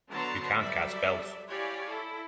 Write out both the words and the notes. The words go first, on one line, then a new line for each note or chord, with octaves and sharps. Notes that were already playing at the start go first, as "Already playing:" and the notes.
You can’t cast spells.
D3 F#3 B3 A5 A#5 C6
F#3 G3 A4 D5 E5
E4 G4 C#5 D5 F5 G#5
E4 A4